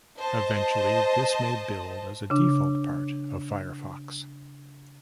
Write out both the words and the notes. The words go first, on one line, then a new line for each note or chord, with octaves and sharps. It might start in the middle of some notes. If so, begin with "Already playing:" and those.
Eventually, this may build as a default part of Firefox.
C5 D#5 A5
C#3 D4